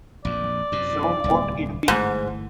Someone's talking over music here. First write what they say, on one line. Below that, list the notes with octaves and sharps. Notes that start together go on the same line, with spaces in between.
So mote it be.
A#1 F2 D5
F#2 C3
D1 C2
G1 G#2 E3 A3